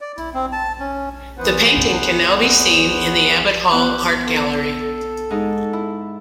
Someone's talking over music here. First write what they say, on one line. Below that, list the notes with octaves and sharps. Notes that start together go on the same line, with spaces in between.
The painting can now be seen in the Abbot Hall Art Gallery.
D5
E4
C4
A5
C#4
E2 E3 B3 B4 C5 F#5
B3 E4 G4 F#5
A4
G#2 D#4
E4